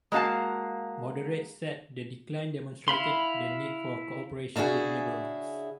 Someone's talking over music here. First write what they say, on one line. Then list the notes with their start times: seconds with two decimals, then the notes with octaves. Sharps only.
Moderates said the decline demonstrated the need for cooperation with Liberals.
0.12 G#3 A#3 F#4 F5 A5
2.88 E4 F5 B5 C6
4.56 C#3 D4 E4 F#4 G#4